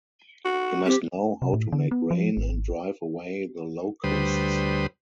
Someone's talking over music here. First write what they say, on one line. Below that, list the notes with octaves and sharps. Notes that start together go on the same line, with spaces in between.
He must know how to make rain and drive away the locusts.
F#4
C4 G4
C3
A2
D3
B3
F3
G#1
D2 G3 B4 C5 D#6